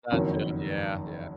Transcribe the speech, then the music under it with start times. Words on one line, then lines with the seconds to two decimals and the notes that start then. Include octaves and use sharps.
That too yeah, yeah.
0.12 F#1 F2 D#3 F#3